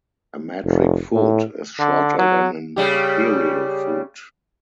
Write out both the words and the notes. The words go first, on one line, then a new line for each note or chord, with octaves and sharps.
A metric foot is shorter than an imperial foot.
F1
A2
D3
F#3
C#3 G3 G4